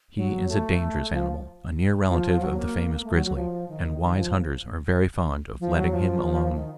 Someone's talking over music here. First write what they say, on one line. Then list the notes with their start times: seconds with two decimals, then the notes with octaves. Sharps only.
He is a dangerous animal, a near relative of the famous grizzly, and wise hunters are very fond of letting him alone.
0.17 F#3
0.48 A3
1.12 F3
2.08 F3
2.40 F#3
2.57 A#3
2.98 A#3
3.04 A3
3.15 F#3
3.25 F#3
3.36 F3
3.68 D#3
4.00 D#3
4.16 F3
5.60 F3
5.76 F#3
5.91 F3
6.56 D#3